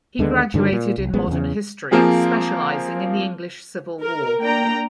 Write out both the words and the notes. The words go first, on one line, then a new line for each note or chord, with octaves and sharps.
He graduated in modern history specialising in the English civil war.
D#2 D3 G#3 B3
G2 D3 D#3 F#3
A#2
C2
A1 G#3 B3
E2 C#3
F3 A#3 C4 F4 G#4
A#4
A#3 D4 G5 A#5